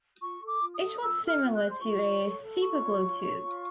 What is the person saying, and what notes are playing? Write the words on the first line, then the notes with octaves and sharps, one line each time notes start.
It was similar to a Superglue tube.
F4 C#6
A4
D6
F4
D#6
A4
F4 E6
A4
F6
F4
F#6
C5
C6
F4 C#6
C#5
A4
A4
F4 C#6
C#5
F4
C#5
F4